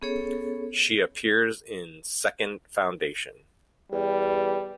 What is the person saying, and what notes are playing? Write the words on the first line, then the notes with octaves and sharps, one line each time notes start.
She appears in "Second Foundation".
B3 C#4 G#4 A4 C#5
E2 G3